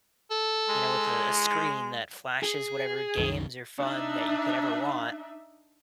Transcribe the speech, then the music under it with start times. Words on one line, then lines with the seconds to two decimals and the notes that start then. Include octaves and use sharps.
you know, with a a screen that flashes whatever games or fun that you could ever want
0.31 A4
0.69 G#3
2.43 G#4
3.17 C2 F#2 D#3
3.78 D4 D#4 E5